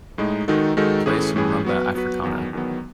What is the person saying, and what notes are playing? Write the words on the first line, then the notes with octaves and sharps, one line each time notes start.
Play some Rumba Africana.
A2 G#3 D#4
D#3 G#3 D#4 F#4 A4
D#3 G#3 D#4 F#4 A4
A2 E3 A3 C#4 G#4
A2 E3 A3 C#4 G#4
F#3 B3 F#4 B4
F#3 B3 F#4 B4
E2 D#3 F#3 B3
E2 D#3 F#3 B3